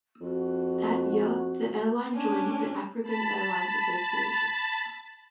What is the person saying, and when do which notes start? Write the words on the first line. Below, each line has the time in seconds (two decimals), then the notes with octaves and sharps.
That year, the airline joined the African Airlines Association.
0.21 F2 F#4
2.14 C#4 D4
3.02 A5 B5 A6